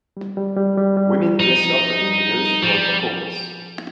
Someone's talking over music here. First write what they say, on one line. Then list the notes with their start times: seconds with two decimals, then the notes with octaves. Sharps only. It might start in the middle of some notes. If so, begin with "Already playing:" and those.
Women dress up and rehearse for a performance.
0.17 G3
0.37 G3
0.57 G3
0.77 G3
0.97 G3
1.39 F3 D#4
2.01 G3
2.62 F3 G3